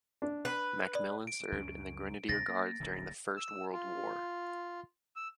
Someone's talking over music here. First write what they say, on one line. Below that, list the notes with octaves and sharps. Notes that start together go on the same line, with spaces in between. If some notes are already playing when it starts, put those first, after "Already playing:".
Macmillan served in the Grenadier Guards during the First World War.
D4
B4
D5
D7
C#2 F#2 C#4
D2 C3 G#3 A6 A#6
A#3
D1 A#1 D3
E6
F4
E6